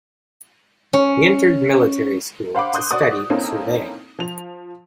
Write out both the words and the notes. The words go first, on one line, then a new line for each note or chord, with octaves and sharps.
He entered military school to study surveying.
C#4
C5 F5 F#5 B5 D6
C6 D#6 F#6 G6
F#4 C5 D5 C#6 D#6
A#3 C4 C#4 D#4 E4 A4
F3 F7